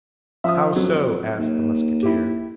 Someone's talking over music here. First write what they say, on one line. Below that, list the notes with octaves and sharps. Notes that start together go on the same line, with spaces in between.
"How so?" asked the Musketeer.
F3 E5 D#6
F2 F#3
D#2
E4 G4